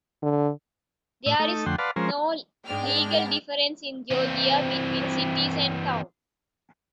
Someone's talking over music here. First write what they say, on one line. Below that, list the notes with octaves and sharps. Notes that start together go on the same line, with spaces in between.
There is no legal difference in Georgia between cities and towns.
D3
A2 E6
A3 D#4 A4
F2 D3 A3 F#5 G5 C6
B4 D5 F5 F#5 A5 C6
F3 G#3 C#4 A#4 C5
G#2 G#3 D4 G5 F6
E3 C4